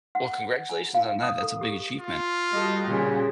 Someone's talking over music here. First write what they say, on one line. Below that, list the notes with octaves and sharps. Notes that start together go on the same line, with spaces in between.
Well, congratulations on that, that's a big achievement.
F#5
G#5
F5
D#6
A4
G4
F4
G3 F#4 G4 A4 D#5
A#2 C#3